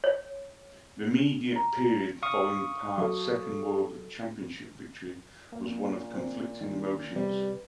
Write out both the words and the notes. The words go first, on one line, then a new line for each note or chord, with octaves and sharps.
The immediate period following Part's second world championship victory was one of conflicting emotions.
C#5
A#5
F5 C#6 D#6
F#3 A4
A#2 A#3
C4
D#3
C3 G3 B4